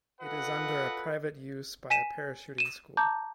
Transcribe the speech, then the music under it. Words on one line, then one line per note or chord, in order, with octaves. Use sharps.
It is under a private use by a parachuting school.
F4 A4 B4 D#5 F#5
G#5 B6 D#7 E7
D#7 E7
A5 A#5 D6 G6